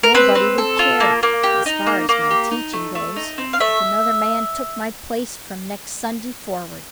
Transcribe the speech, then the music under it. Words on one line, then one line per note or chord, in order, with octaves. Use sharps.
Nobody would care, as far as my teaching goes, if another man took my place from next Sunday forward.
A#4
C4 B4
C4
A4
F4
A#3
A#3
G4
D#4
A#3
A#3
G4
D#4
A3
A3
D#4
C4
F5
A3 E5